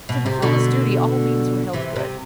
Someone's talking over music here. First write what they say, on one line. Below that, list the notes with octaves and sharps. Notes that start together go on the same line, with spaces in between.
To fulfil this duty all means were held good.
B2
C3
B2 D3
C3 E3
C3